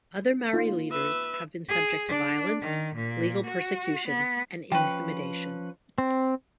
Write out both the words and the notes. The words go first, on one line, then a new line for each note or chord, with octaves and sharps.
Other Mari leaders have been subject to violence, legal persecution and intimidation.
A#3 D#4 F4
B4 E5
G#4
D4
D#3
A#2
F#4
B3
F3 C#4 B4 G5
C4